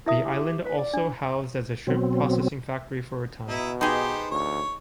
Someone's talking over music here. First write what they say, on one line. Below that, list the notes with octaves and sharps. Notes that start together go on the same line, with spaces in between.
The island also housed as a shrimp processing factory for a time.
E4 A#4 E5 D#6
G4
B4
D5
D4
B2 F#3 C4
B2 D#4 E4
B3 D#4 G4 G#4 C5
D2 C#5